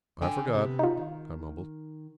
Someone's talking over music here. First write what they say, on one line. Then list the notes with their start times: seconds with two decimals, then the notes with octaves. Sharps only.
"I forgot," I mumbled.
0.22 D3 G5 G#5
0.55 C3 B3
0.79 D#4 F4
0.97 D#3